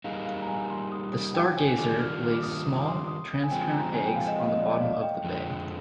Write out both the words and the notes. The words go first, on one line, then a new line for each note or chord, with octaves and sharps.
The stargazer lays small, transparent eggs on the bottom of the bay.
G3 A#3 D#4 G#4 F5
F5
A#5
G#5
C6
D#6
D#6
G5
G#5
D#3 G3 D4 F4 D6
F6
F6
D6
D#6
D#6
D#6
D6
C6
D#6
G#5
F3 G#3 C4 G5
A#5
G#5
G5
F5
D#5
F5
D#5
D5
D#5
F5
G5
F2 D3 F3 G#3